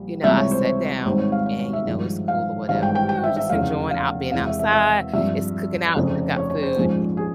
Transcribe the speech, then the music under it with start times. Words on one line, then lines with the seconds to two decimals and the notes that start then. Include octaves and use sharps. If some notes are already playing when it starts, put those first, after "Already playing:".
you know, I sat down, and, you know, it's cool or whatever. You know, we're just enjoying out being outside, it's cooking out cook out food,
Already playing: A#1 G3
0.23 C#2 C3 E3 G3 E5
0.37 C#5
0.51 C5
0.64 C#5
1.05 G#1 G#2 G3 C4 C5
1.18 C#5
1.32 F5
1.46 C#5
1.59 C#5
1.73 E5
1.87 G#1 G2 F3 G#3
2.28 F5
2.68 G#1 G2 E3 G#3 F5
2.83 G5
2.95 G5
3.09 G5
3.24 E5
3.37 E5
3.50 F1 E2 C#3 F5
3.91 F5
4.32 E1 E2 C3 F5
4.46 E5
4.59 E5
4.72 E5
5.13 G2 F3 C4 E5
5.95 F1 F2 C#3
6.36 C#5
6.50 C#5
6.63 C5
6.76 A#1 G#2 F3 G#3 C#4
7.17 G#4